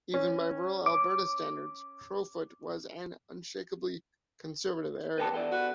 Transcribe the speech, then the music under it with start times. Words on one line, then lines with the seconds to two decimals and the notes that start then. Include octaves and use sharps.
Even by rural Alberta standards, Crowfoot was an unshakably conservative area.
0.14 C#4
0.86 D6
5.18 B3 B4 G5 A5
5.33 E3 B3 A4 D5
5.51 F#4 B4